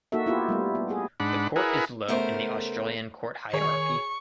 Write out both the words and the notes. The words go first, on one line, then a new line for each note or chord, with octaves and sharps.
The court is low in the Australian court hierarchy.
A#3 D#4 F#4 A4 E5
B3 E4 F4 G4
G3 A3 B3
B3
G#4
G#2 D4 F#5 B5
E4 G#4 A#4 B4 F#5
C#3 A3 B3 A#4 C5
D#3 G#4 C#5 C#6